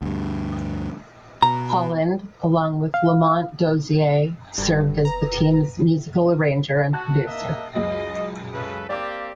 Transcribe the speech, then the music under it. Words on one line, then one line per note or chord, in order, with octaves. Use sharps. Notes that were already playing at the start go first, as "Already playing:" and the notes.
Holland, along with Lamont Dozier, served as the team's musical arranger and producer.
D2 G2
B2 A#5
F5
F1 G2 D3
B4 A#5
F#4 A5 F#6
A#3 D#5 E5
C#2 F#2 D#5
C#3 A4 B4
A#3 C4 G4 D5 F5 D6